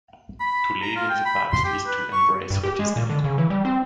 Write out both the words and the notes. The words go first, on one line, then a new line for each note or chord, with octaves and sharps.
To live in the past is to embrace what is dead.
B5
A#5
F4
G5
B5
C6
G4
B4
C#6
G2
G4
G#3
A#2
D3
C#3
E3
G3
C4